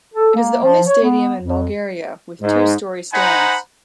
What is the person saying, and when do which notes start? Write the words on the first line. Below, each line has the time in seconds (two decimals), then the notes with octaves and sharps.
It is the only stadium in Bulgaria with two-storey stands.
0.15 A4
0.35 A#3
0.63 F3
0.87 C#5
1.03 B3
1.40 F2
2.41 G#2
3.13 D#4 C5 F#5 G#5 A#5 B5